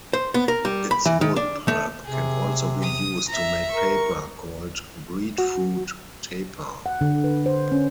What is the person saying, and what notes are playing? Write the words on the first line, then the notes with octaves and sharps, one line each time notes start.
Its wood pulp can also be used to make paper, called breadfruit "tapa".
C5
B3
A#4
G3
B5
E3
D#3
D4
A3
C3 G#4
D#6
E5 A#5
A#4 C#6
F#4
F#5
D3
B4
C5
C#4